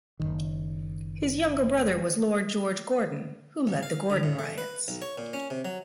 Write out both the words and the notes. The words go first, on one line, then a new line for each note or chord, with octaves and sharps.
His younger brother was Lord George Gordon who led the Gordon Riots.
F#1 C2 D#3
A1
F5
D3
A2
A3
B4
B1
C#5
A#2
C#4
C3
F#3